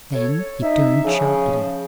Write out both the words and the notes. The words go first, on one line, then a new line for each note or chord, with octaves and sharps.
Then he turned sharply.
A4 C#5
D#4 E5
C#3 F3